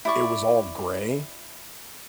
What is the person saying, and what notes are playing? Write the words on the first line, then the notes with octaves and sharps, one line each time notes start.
it was all gray,
E4 D5 C#6